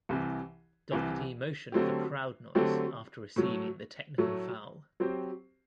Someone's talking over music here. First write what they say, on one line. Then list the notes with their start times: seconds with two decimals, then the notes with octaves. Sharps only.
Doherty motioned for crowd noise after receiving the technical foul.
0.09 C2 C3 E3
0.91 C2 C3 E3
1.72 D3 F#3 A3 C4 G4
2.55 D3 F#3 A3 C4 G4
3.36 A2 F#3 A3
4.18 A2 F#3 A3
5.00 F#3 C4 G4 C5